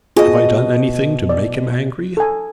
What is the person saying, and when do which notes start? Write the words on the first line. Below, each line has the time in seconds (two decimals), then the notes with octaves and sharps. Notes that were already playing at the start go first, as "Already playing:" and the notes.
Have I done anything to make him angry?'
0.17 B2 F4 G#4 D#5
1.29 D5
2.17 A4 G#5